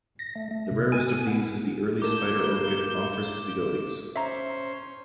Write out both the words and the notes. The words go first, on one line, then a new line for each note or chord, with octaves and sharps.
The rarest of these is the early spider orchid "Ophrys sphegodes".
A#6
A3
A3
C3
G#5
G#5
B3
A#3 A4 A#4 D6 G6 E7
C#4 C5 E5 A#5